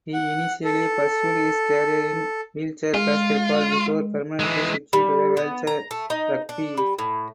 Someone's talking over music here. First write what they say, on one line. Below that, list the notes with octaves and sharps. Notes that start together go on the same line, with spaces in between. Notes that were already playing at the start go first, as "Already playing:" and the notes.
He initially pursued his career in wheelchair basketball before permanently switching to wheelchair rugby.
F#5
A4
G#3 F4
E3 G#3
G3
B3
A#5
A3
D#4
D4
G3
A2